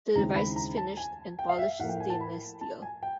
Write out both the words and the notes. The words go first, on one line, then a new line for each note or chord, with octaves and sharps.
The device is finished in polished stainless steel.
D#2 C#3 E3 G#3 C4 A#5
B5
A#5
A5
G#5
G5
F5
E5
A2 F3 A#3 F#5
G5
G#5
A5
B5
A5
G#5
G5